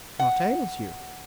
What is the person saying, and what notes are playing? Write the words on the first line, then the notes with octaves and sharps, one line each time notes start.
'What ails you?
F#5